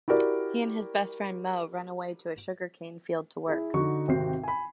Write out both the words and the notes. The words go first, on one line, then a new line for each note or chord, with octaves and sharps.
He and his best friend Moe run away to a sugarcane field to work.
E4 F#4 G4 A#4 D5
E4 G#4
D3 D#4 F#4 C#6
G#1 C3 C4 F#4 G5 C7
G#5 B5